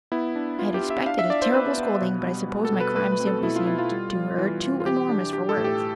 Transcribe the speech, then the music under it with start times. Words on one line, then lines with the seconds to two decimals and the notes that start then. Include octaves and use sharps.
I had expected a terrible scolding, but I suppose my crimes simply seemed to her too enormous for words.
0.12 B3 E4
0.35 D4
0.59 B3 F4
0.74 G4
0.83 D4
0.90 E5
1.06 D4 F5
1.19 E5
1.30 D4 D5
1.42 C5
1.54 B3 B4
1.78 B3
2.01 B2
2.25 G3
2.49 G3
2.65 A4
2.72 B2
2.80 B4
2.96 A3 B4
3.12 B4
3.20 C4
3.27 A4
3.43 B2 E4
3.56 F4
3.67 B2 E4
3.78 F4
3.91 G3
4.15 G3
4.38 E3
4.62 E3
4.80 F4
4.85 E3 G4
5.09 D4
5.33 D4 G4
5.49 A4
5.57 A2
5.64 G4